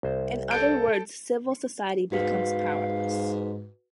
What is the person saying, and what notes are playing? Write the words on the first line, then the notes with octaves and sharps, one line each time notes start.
In other words, Civil Society becomes powerless.
C2 C5
A4 G6 D7
G#2 F#4 B4 F5 B6